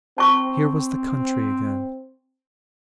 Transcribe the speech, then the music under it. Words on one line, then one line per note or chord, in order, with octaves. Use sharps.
Here was the country again.
C4 A5 C#6